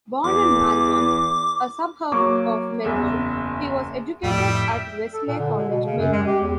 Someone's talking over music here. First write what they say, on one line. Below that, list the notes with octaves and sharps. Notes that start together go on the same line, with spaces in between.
Born in Malvern, a suburb of Melbourne, he was educated at Wesley College, Melbourne.
E2 D6
F#3 A#3 C#6 D6
F#1 E2 E5
F2 A2 G3 E5 G5
A4
A#2
D3
G#3
B2
C#3
F#2
G#3
G4
E2